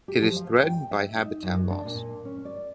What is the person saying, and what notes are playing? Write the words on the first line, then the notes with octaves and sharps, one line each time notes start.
It is threatened by habitat loss.
G4
F3
F5
G5
E5
D#4
F#2
D4
A#2
C#4
D5